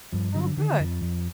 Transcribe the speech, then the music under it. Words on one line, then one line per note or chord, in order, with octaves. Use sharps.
Oh, good.
G2 F3
D3 F#3
D3 D#3
F2 F3
F2